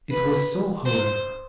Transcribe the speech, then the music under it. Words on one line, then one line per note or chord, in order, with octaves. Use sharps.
It was so, however.
B4
C5